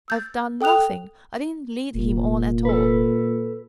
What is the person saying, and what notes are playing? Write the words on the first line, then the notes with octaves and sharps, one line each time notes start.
I have done nothing, I didn't lead him on at all.
E6 G6 A6
A4 G5 D#6 F#6 F7
F1 A#2
A4 B4